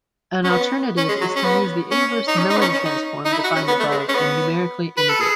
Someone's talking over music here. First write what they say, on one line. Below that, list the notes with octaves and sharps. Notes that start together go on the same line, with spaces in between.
An alternative is to use the inverse Mellin transform defined above and numerically integrate.
C#4
B3
C#4
G#3
F#3
C#4
B3
C#4
D#4
C#4
D#4
B3
C#4
C#4
D#4
D#4
E4
F#4
C#4
B3
A3
G#3
C#4
B3
B4
A4
G#4